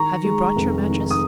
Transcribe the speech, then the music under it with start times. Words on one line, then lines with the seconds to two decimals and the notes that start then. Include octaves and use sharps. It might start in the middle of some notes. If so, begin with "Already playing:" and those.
Have you brought your mattress?
Already playing: D#3 A#5 C#6
0.24 G#3
0.56 F1
0.88 D#3
1.11 D#6